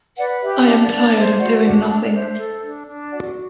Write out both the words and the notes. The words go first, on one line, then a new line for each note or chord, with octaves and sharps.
I am tired of doing nothing.
B4 D5 F#5
G4 E5
D4 E5
D5 F#5
D4
D5
C5 E5
F#4 D5 F#5
D4 D5 F#5
B5
D4 F#5 A5
D5
C5 E5
A4
D4
D4
F#4 D5 F#5